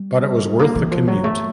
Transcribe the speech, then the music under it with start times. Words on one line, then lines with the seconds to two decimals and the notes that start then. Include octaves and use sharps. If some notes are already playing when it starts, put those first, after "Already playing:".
But it was worth the commute.
Already playing: G3
0.59 A#3
0.75 E3
0.91 F3
1.08 F#3
1.24 A3